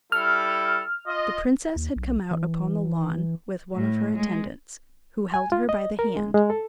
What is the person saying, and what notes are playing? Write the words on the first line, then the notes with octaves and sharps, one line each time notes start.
The princess had come out upon the lawn with one of her attendants, who held her by the hand.
G3 E4 A4 F6
F4 D#5
D#2
B1
E3
A2
G#3
G#5
F4
D#5
A#4
G#3
G#3
A4